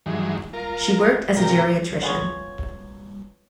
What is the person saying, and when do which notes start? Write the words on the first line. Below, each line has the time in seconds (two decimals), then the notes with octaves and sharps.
She worked as a geriatrician.
0.06 G2 D#3 E3 F#3 G#3
0.53 F4 A#4
1.37 A2 C3 F4 A#4 G5 A#5
2.02 B3 F4 G#4 C#5